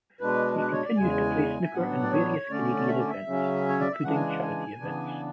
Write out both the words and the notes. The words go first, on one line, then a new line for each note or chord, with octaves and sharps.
He continues to play snooker in various Canadian events, including charity events.
B2 G#3 D4 B4
B4
C#5
D5
E2 C#3 G#3 G#5
E5
A2 F#3 B3 D4 F#5
D5
C#5
D3 A3 C#4 D5
E5
D5
E5
C#3 F#3 C#4
C#5
D5
E5
C#3 E3 G#3 D4 F#5
G#5
F#5
G#5
C#3 E3 B3 D4